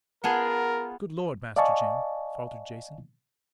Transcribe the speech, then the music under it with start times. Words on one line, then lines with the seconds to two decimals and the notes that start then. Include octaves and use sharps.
"Good Lord, Master Jim!" faltered Jason.
0.24 B3 F4 G#4 A#4 F#5 A5 G#6
1.56 D5 D#5 F5 G#5 A5 C#6